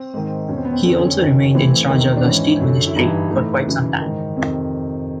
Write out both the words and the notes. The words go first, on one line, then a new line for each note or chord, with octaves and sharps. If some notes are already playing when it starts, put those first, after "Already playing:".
He also remained in charge of the Steel Ministry for quite some time.
Already playing: C4
G#2 D#3
E2 B2 C#4
C4
B3
C4
F2 D3 C#4
C4
C#4
F#2 D#3
A2 E3 C4
E2 C3 D#3
D4
G#2 E3 C#4
F#2 D3
E4
G2 E3 D#4
A2 E3
F#2 C#3 E3
G#2 D#3
F2 C3 D#3